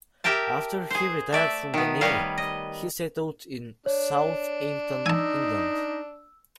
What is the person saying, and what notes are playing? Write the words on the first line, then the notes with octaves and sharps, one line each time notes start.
After he retired from the Navy, he settled in Southampton, England.
G4 A#4 E5 G5 A5
G#4 C5
A3 D5 E5
D#3 B3
G3 B4 C#5 D#5 F5
D#5
D4 C#5
D#4 G#5 A5 E6